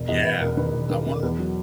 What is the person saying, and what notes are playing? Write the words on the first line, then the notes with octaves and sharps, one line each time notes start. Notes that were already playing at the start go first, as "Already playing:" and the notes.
Yeah! I wanna
Already playing: E1
E2 D#5
E1 B4
E1 A#4
D#3 B4
E1
D#3 B4
D#3 A#4
E2 B4
F#3